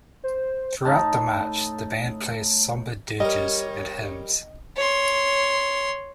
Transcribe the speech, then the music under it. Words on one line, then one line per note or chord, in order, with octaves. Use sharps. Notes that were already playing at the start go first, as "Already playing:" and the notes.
Throughout the march, the band plays somber dirges and hymns.
C5
A2 D#4 A5
G3 G4 A#4 C#5 D#5
C#5 C6